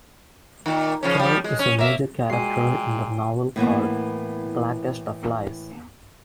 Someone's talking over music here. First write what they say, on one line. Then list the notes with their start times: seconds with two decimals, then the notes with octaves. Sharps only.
Kell is a major character in the novel called "Blackest Of Lies".
0.66 A#2 D#3
1.03 C#3 F3 C#4
1.19 F3 G3
1.44 G#3
1.59 C#4
1.79 A#3 E5
2.30 A#2 G#3 F#4 G5 G#5 C7
3.56 A2 E3 A#3 B3